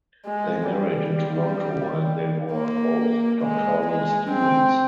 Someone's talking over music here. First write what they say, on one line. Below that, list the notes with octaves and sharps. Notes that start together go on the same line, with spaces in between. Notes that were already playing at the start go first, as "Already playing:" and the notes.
They married in Toronto while they were both doctoral students.
G#3
G3
A#3
G#3
G#3
C4